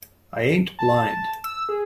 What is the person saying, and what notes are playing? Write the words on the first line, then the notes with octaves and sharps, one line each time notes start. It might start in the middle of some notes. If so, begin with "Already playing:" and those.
I ain't blind.
A5
E6
G#4